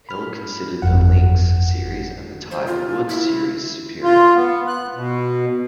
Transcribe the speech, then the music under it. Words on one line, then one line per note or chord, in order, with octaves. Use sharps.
Hill considered the "Links" series and the "Tiger Woods" series superior.
B5 F6
G1 F2 F#5
C5
F4
E4
F4
B3
F#6
B2